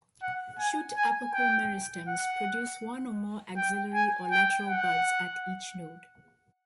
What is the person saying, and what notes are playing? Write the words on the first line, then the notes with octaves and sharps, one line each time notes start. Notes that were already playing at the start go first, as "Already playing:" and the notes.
Shoot apical meristems produce one or more axillary or lateral buds at each node.
F#5
G#5
G#5
G5
F#5
G5
G#5
G5
F#5